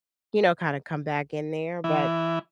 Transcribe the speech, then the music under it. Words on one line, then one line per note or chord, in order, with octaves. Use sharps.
you know, kinda come back in there," but
E3